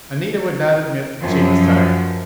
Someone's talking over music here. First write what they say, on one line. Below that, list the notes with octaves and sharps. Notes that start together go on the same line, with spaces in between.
Anita would not admit that she was tired.
F#2 F3